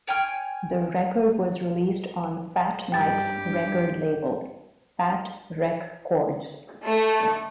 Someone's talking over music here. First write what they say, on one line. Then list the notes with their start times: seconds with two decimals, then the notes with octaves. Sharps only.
The record was released on Fat Mike's record label, Fat Wreck Chords.
0.07 C#5 G5 G#5 F6
2.92 G2 G3 G4 G5 A6
6.87 A3